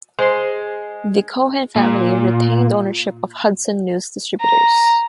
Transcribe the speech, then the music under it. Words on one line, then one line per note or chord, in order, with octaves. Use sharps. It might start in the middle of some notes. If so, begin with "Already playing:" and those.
The Cohen family retained ownership of Hudson News Distributors.
G#3 C5 C6
A#2
A#5